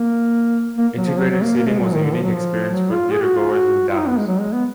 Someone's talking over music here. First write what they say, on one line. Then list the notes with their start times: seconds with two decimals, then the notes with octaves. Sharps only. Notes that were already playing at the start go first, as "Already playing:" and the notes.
Integrated seating was a unique experience for theatergoers in Dallas.
Already playing: A#3
0.78 A#3
0.97 F#3
1.07 F3
1.18 F#3
1.30 F#3
1.43 A#3
1.56 A#3
1.69 G#3
1.82 F#3
1.94 D#3
2.04 D3
2.14 F3
2.23 F#3
2.33 F3
2.71 F#3
2.92 F4
3.11 G#4
3.23 F#4
3.37 F4
3.51 F#4
3.88 F4
3.97 D#4
4.08 B3
4.17 G#3
4.27 F#3
4.40 G#3
4.53 B3